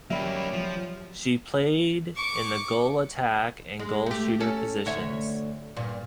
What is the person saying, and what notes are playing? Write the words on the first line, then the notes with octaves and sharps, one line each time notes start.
She played in the goal attack and goal shooter positions.
F#3 G3 A#3 C#4 G4 E5 B5 C6
F3
C#6 D6
G#3
A3 G4
C#4 A4
D2 C#5 E5
G2 A#2